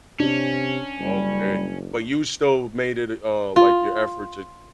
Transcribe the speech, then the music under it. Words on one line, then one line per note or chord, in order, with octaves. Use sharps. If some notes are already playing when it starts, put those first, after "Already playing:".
Okay, but you still made it d uh, like your effort to
C3 C#4 D4
F#1 G3
F4